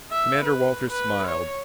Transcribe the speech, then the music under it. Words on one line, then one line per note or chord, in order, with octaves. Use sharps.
Commander Walters smiled.
E5
B4
B4
C#5